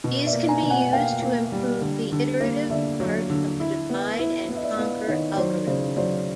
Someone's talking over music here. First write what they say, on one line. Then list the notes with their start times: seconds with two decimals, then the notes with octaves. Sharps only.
These can be used to improve the iterative part of the divide-and-conquer algorithm.
0.04 B2
0.26 D5 E5
0.33 A#3
0.48 G#5 A#5
0.63 B2
0.70 F#5 G#5
0.93 A#3 F5 G5
1.22 A#3
1.52 G3
1.81 D3
2.12 D3
2.41 A#3
2.70 D3 D5 E5
3.00 F#3
3.30 D3
3.60 E4
3.90 B3
4.19 E4
4.48 B3 E5
4.56 D#5
4.63 D5 E5
4.78 B3 D#5 F5
5.08 D#3 C#5 D#5
5.37 F#3 C5 D5
5.67 C#3 C5 D5
5.96 F#3 C5 D5